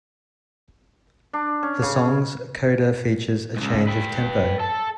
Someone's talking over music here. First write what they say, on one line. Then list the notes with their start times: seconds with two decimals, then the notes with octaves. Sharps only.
The song's coda features a change of tempo.
1.33 D4
1.63 C#4
1.82 C#3
1.96 G#4
3.56 C#2 G#2
3.87 B4 G5
4.59 A4 A5